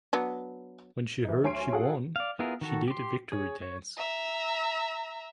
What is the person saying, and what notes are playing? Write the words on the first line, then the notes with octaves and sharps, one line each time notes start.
When she heard she won, she did a victory dance.
F#3 B3 D4
E3 D#4
D2 C#5 G#5 C6 C7 D7
F#4 G#4 A4 F5 F#5
D5 F5
B3 E4 F4 G#4 A#4
D#3 F#4 A4
G4 C6
G#4 C#5
C#5
E5 A#5